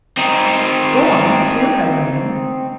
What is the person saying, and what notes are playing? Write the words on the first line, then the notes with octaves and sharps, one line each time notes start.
"Go on, to your cousin, then!"
C4 D#4